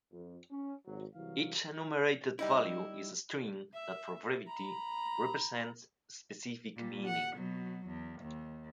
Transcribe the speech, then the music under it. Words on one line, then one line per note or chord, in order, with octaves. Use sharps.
Each enumerated value is a string that for brevity represents a specific meaning.
F2
C#4
G#1 F#3
C2 E3 F#3 F5
G3 D#4 E4
E5
A#5 B5
A#2 G3
F#5
B2 F#3
E2
D#2